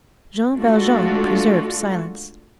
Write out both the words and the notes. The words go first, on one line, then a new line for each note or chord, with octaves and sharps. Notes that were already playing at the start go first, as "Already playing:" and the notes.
Jean Valjean preserved silence.
G#3 A3 D4 F4 F#4 A4